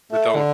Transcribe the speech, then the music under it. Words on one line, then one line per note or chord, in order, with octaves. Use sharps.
but don
A3
D3